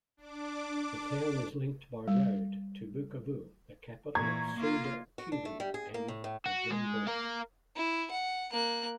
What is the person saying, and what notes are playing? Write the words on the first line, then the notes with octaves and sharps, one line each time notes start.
The town is linked by road to Bukavu, the capital of Sud-Kivu, and Bujumbura.
D4 D6
G3
A#2 E3 A#5 C#6 G#6
A#3 F4
F#4
D4
A3
G3
G#4
A#3
A2
A2
F#4
G#3
A#4 F5
E4
F#5
A#3 F#6